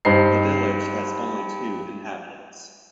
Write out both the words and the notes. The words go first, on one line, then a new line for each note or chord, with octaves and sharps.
The village has only two inhabitants.
G2 D#4 C5 C7